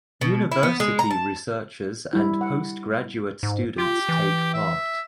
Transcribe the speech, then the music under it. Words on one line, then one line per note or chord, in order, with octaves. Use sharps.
University researchers and postgraduate students take part.
B2
E4
B3
G#3
A#5
A5
G3 E4
F#5
G#2
F4 G4
E3
E5